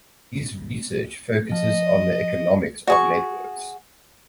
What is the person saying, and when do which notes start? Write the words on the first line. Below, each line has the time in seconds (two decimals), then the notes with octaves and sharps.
His research focuses on the economics of networks.
1.52 F3 D#5
2.87 F#4 G#4 C#6